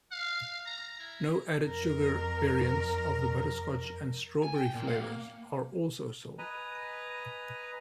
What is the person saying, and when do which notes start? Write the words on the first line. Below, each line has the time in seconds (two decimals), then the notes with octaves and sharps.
No-added-sugar variants of the butterscotch and strawberry flavours are also sold.
0.11 F5
0.66 A#5
0.99 E4
1.67 F2 A#4
4.43 G#5
4.55 G5
4.74 A#2 A#3
4.87 F5 F#5
5.01 A#3
6.38 B4 D#5 G#5 A#5